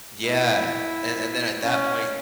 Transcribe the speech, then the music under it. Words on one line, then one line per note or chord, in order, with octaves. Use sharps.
Yeah. And and then at that point,
E4
C#4